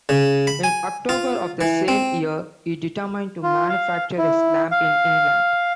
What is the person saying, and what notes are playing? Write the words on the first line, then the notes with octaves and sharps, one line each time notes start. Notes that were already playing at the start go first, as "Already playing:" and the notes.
In October of the same year, he determined to manufacture his lamp, in England.
C#3
B5
G#5
F4
E3
C4
F4
F5
E4
F5